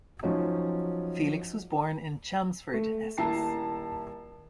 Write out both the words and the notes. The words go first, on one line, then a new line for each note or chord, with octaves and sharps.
Felix was born in Chelmsford, Essex.
F3 F#3 C#4 D#4
A3
D#1 E4 A5 A#5 C7